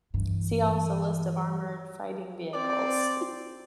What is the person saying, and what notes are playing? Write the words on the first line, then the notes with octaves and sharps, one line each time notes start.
See also list of armoured fighting vehicles.
G2 E3
C4 D5